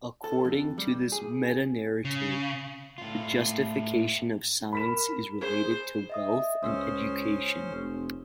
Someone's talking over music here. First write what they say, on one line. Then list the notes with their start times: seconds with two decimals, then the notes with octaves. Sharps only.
According to this metanarrative, the justification of science is related to wealth and education.
0.24 A4
0.45 F2
0.78 G3
1.12 G#4
2.05 C#3
2.98 A2 F4
4.73 A#4 B5 B6 E7
5.41 G#4 C5
6.10 D#5 E5 D#6
6.63 C#2 C#4 C5 D#6 E6
7.72 F1